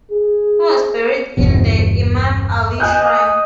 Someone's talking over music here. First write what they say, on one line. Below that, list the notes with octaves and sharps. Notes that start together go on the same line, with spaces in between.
He was buried in the Imam Ali shrine.
G#4
G1 E2 B2
D#5 G#5 F#6 G6